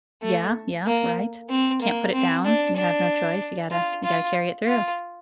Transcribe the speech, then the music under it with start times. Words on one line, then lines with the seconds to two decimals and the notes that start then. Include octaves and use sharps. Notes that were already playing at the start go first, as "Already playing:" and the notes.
Yeah, yeah, right. Can't put it down. You have no choice. You gotta you gotta carry it through.
0.22 A3
0.86 A#3
1.49 C4
1.82 A#3
2.13 C4
2.45 D4
2.77 D4
3.71 F4
4.04 F4
4.67 F4